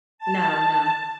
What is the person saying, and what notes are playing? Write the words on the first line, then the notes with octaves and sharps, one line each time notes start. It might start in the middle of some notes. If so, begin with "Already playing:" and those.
No, no.
A5